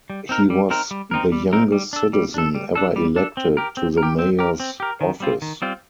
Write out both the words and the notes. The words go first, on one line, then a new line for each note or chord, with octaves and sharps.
He was the youngest citizen ever elected to the Mayor's office.
G3
C4 D#4 A#4
G3
C4 D#4 A#4
G3
C4 D#4 A#4
G3
C4 D#4 A#4
G3
D4 A4
G3
D4 A4
G3
D4 A4
G3
D4 A4
C4
G4 A#4
C4
A#4
G4
C4
G4 A#4
C4
G4 A#4
D#3
G3 C4 F4
D#3
G3 C4 F4